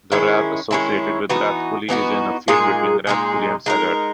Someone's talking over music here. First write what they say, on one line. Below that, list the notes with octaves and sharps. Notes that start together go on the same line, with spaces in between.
The rath associated with Rathcoole is in a field between Rathcoole and Saggart.
D#3 G#3 C#4 E4
D#3 G#3 C#4 E4
E3 B3 D#4 F#4
E3 B3 D#4 F#4
A#2 G#3 D#4 G#4
A#2 G#3 D#4 G#4
G#3 D#4 A#4